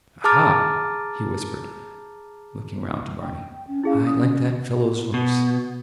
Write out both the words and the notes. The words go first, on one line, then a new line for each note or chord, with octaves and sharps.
'Aha!' he whispered, looking round to Barney, 'I like that fellow's looks.
G#4 A5 A#5 D6 F6 A6
G5
C#4
C#4 E4 G#4 F5
D#6
B2